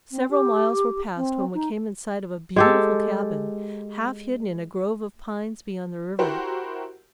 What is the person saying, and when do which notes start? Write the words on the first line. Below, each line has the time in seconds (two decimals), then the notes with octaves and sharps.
Several miles were passed when we came in sight of a beautiful cabin, half hidden in a grove of pines beyond the river.
0.11 C4
0.30 G4
1.16 C4
1.54 D#4
2.56 G#3 G4 A4
6.19 E4 F#4 G4 A#4 C5